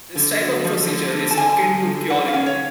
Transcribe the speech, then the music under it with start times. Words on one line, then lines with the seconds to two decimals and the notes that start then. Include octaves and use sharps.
This type of procedure is akin to curing.
0.16 D3
0.40 F#3
0.65 F3
0.88 D3
1.13 D3
1.31 A5
1.37 D3 G#5
1.62 F3
1.86 D3
2.10 D3 F#5
2.28 F5
2.34 C#4
2.46 C#5